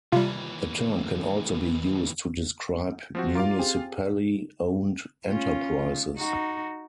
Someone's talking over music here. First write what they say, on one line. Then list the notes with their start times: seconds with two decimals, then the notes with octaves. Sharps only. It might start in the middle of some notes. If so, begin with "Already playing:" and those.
The term can also be used to describe municipally-owned enterprises.
0.12 D#2 C3 E3 G3 F4
3.15 F3 C4 F#4
3.35 F4 F5 A#5 D6
3.59 C4 G4 G#4
5.27 C#4 F4
6.17 D#4 F#4